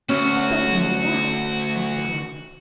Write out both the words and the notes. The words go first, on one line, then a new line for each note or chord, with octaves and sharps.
"A specimen of what?" asked the girl.
D2 C#4 F#4